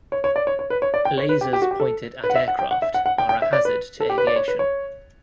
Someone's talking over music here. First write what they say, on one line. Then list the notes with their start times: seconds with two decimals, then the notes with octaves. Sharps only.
Lasers pointed at aircraft are a hazard to aviation.
0.12 C#5
0.24 C#5
0.36 D5
0.47 C#5
0.59 C#5
0.70 B4
0.82 C#5
0.94 D5
1.05 G5
1.18 C#5
1.29 B4
1.41 G4
1.53 G4
1.62 F#4
1.71 G4
1.80 A4
2.24 B4
2.30 F#5
2.36 E5
2.48 F#5
2.59 G5
2.71 F#5
2.82 E5
2.94 F#5
3.06 F#5
3.18 G5
3.29 G5
3.42 E5
3.53 D5
3.65 B4
4.00 A4
4.10 G4
4.18 B4
4.27 D5
4.36 C#5
4.48 B4
4.59 C#5